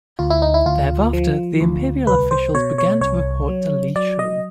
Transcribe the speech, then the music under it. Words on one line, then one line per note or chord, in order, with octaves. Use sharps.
Thereafter, the imperial officials began to report to Li Chun.
D2 F4
E4
D#4
E4
D2 F4
F3
D2
C2 B4
C5
B2 C#5
C#5
C2 C#5
F#3
F#3 D5
D#5